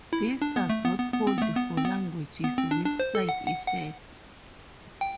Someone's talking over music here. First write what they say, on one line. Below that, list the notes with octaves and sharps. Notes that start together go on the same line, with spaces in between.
This does not hold for languages with side-effects.
E4
D4
B3
A3
B3
B3
B3
C4
B3
A3
B3
C4
B3
B3
C4
D4
D4
C5
A4
F#5
F#5
F#5
G5